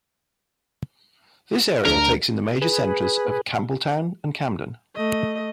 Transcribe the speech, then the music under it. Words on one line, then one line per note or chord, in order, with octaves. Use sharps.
This area takes in the major centres of Campbelltown and Camden.
D2 D4 A#4
G#4 B4
A3 D#5